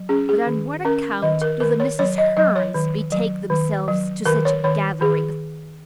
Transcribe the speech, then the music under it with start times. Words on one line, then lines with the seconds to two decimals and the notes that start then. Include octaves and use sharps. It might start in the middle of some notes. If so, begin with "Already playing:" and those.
But on what account do the Mrs. Hearns betake themselves to such gatherings?
Already playing: F#3
0.09 C#4 G#4
0.29 G#4
0.47 D#3
0.85 C#4 A#4
1.22 D#3 D#5
1.42 A#4
1.60 D#3 A#4
1.80 C#5
1.99 F#3 C#5
2.18 D#5
2.37 F#3 D#5
2.56 C#5
2.74 D#3
3.12 F#3
3.50 D#3
3.88 F#3
4.26 D#3 A#4
4.45 C#5
4.64 D#3 C#5
5.01 D#3 G#4